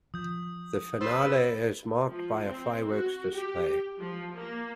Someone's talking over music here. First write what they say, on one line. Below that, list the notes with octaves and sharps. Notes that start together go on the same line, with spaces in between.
The finale is marked by a fireworks display.
F3 D#6 G6
B4 C5 E6 A6 E7
F3
C4
F#4
G4
F3
A#3